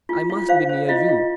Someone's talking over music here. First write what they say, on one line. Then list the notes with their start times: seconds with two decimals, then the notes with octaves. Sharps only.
I must be near you.
0.09 F4
0.30 F4
0.49 C5 F5
0.69 C5
0.89 F4 D#5
1.09 F4